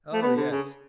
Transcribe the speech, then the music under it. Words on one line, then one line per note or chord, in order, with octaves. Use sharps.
Oh yes.
A3
B3
D3
C#3